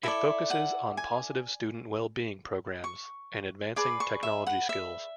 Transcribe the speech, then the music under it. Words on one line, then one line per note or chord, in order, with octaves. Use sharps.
It focuses on positive student well being programs and advancing technology skills.
E4 A4 D5 E5
F#5
G#5
C#6
G#4 B4 D5 D6
C#6
E5
F#5
E5